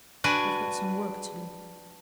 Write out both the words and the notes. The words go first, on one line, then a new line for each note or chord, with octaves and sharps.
I've got some work to do.
D4 F#4 B4 D5 G#5